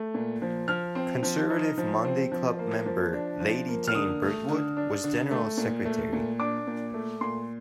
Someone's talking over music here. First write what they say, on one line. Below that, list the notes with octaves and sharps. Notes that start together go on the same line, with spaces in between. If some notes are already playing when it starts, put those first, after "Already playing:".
Conservative Monday Club member Lady Jane Birdwood was General Secretary.
Already playing: A3
A#2
F3
F3 F6
C4
F3
D#4
F3
C4
F3
A#3
F3
D4
F3
A#3
F6
D3 D#6
A3
D3
D4
D3
A3
A#2
A3
A#2
D4 D6
A#2
A3
A#2 C6